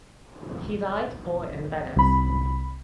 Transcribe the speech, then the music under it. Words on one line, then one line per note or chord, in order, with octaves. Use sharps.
He died poor in Venice.
C2 B5